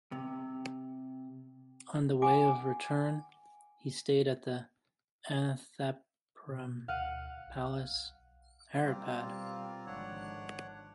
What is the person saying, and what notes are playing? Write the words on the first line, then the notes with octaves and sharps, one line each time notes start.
On the way of return, he stayed at Ananthapuram Palace, Haripad.
C3
E5 F#5 G#5 D6
B2
D2 F5 F#5 D#7
B1
B2 G3 A#3 C4 F4
G#1 D3 F3 D4 C#5 F#5